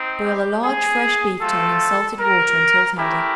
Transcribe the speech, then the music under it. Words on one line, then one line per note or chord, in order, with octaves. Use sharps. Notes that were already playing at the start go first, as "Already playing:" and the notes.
Boil a large fresh beef tongue in salted water until tender.
Already playing: C4 D#4
G4
G#4
A3 C4 F4 A4
A#4
A3 C#4 E4 G4 A#4